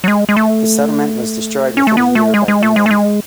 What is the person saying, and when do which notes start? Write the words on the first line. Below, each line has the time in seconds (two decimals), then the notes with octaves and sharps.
The settlement was destroyed within a year by England.
0.04 F#3
0.08 G#3
0.29 G#3
0.37 A3
1.77 C#4
1.87 A3
1.97 B3
2.15 A3
2.34 G#3
2.48 G#3
2.63 A3
2.76 G#3
2.86 A3
2.91 G#3